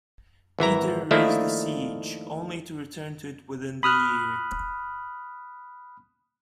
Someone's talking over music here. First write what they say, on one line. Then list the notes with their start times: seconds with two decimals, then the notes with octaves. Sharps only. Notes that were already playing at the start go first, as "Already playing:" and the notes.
Peter raised the siege, only to return to it within the year.
0.59 G#1 E3 E4 A#5
1.11 D#3 F3 A3 A#3 D4 E4
3.83 B5 D#6 F6 F#6